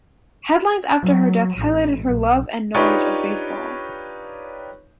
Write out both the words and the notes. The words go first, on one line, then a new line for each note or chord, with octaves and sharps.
Headlines after her death highlighted her love and knowledge of baseball.
F#3
A1
B1
D4 D#4 F4 G4 B4 C#5